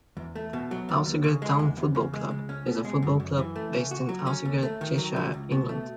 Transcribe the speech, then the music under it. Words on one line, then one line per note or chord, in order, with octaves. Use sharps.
Alsager Town Football Club is a football club, based in Alsager, Cheshire, England.
E2
A3
B2
F#3
D#2
D#2
C#3
G#3
E2
E2
C#3
G#3
C#2
C#4
B2
G#3
F#2
F#2
E3
A3
C#3
F#4
F#3
C#4
D#2
A3
D#3
F#3
C#2
C#2
B2
A3